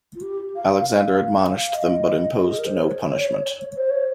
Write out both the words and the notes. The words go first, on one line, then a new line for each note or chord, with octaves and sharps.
Alexander admonished them but imposed no punishment.
F4
G4
F5
F5
F5
F5
F5
D#5
G4
G#4
A#4
C5
C#5
C5
C#5